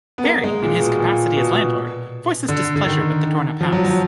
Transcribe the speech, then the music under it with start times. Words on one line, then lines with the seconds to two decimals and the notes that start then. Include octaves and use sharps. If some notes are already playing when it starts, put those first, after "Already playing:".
Harry, in his capacity as landlord, voices displeasure with the torn up house.
0.18 B3
0.24 A#3
0.44 G#3
0.62 A#2
0.80 B2
0.99 A#2
1.37 B2
2.49 D3
2.76 D3
2.86 D#3
3.61 F3
3.72 F#3
3.85 F#3